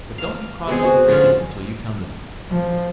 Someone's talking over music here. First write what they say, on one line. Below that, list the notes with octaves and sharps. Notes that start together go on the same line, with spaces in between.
But don't you cross any bridges until you come to them.
F5
G#3 B3 C4 G#4
F#4
D3 F3 C#4 F4
F3